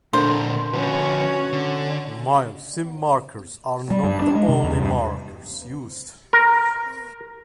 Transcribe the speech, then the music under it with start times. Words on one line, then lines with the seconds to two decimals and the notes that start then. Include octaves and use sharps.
Mil-Sim markers are not the only markers used.
0.13 A#2 D3 A3 D4 A#4 C5
0.73 D3 F3 C#4 F#4 B4
1.53 D3
3.90 G3
4.04 G2
4.22 D4
4.35 G#3
4.48 C3
4.64 E2
4.80 G2
6.33 A#4